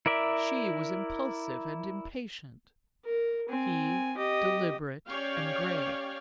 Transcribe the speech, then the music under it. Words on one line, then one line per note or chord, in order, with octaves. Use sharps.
She Was impulsive and impatient, he deliberate and grave.
E4 A#4 D5 E5
A#4
C4 G#5
G4 D#5
C#4 G4 C#5 D5 F5 G5